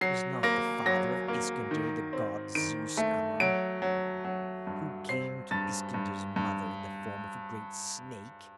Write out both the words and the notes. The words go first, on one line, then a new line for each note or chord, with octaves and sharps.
Was not the father of Iskander the god Zeus Ammon, who came to Iskander's mother in the form of a great snake?
F#3 C7
A#3 A#6
F#3 A#6
A#3
D#3
C4
D#3 D7
A3
F#3 D7
F#3
F#3
G2
C4 C7
G2 A6
G2
G2